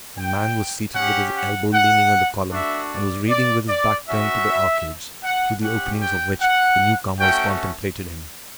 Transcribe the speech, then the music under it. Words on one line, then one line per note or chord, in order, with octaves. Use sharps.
A man was seated with his elbow leaning on the column, and was reading with his back turned to the arcades, through the openings of which the new-comers contemplated him.
G5
C#4 G4 F#5
F#5
F#5
A3 D4 F#4 E5
D5
D5
D5
C#4 F#4 E5
F#5
C#4 G4 F#5
G5
F#5
A3 C#4 F#4 G5